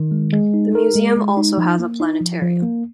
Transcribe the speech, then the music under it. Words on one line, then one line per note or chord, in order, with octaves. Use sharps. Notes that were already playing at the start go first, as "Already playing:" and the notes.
The museum also has a planetarium.
Already playing: D#3
G#3
G#3
D#4
A#4
G#3
G#3
D#4
F3
A#3
D#4
F3
F3
A#3